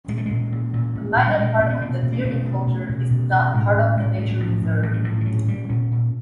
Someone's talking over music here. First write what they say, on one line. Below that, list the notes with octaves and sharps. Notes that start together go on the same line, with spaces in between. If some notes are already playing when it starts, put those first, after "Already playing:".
A minor part of the deer enclosure is not part of the nature reserve.
A#2 G#3
A3
A#2 G#3
A#2
A#2
A#2
A#2
G3
A#2 G#3
A#2 A#3
B3
B2 A#3
B2
A#3
B2 A3
B2
B2
B2
B2
B2
A2 G#3
A2
A2 G#3
A2 G3
F#3
A2 F3
A2
A2 E3
F#3
A2 F3
F3
A#2 F#3
A#2 G3
A#2 C#4
A#2